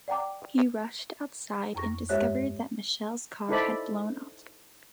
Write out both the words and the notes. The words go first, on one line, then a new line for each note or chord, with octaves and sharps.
He rushed outside and discovered that Michelle's car had blown up.
D5 F#5 G5 A#5 D6
F2 A#5 C#6 A#6
G2 G#3 G4 C#5 E5 F#6
D#4 E4 A4 C5 D5 B5